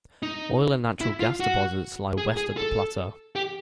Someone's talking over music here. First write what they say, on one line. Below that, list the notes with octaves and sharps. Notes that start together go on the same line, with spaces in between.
Oil and natural-gas deposits lie west of the plateau.
D#4
E4
F4
F#4
G#4
G#4
A4
G4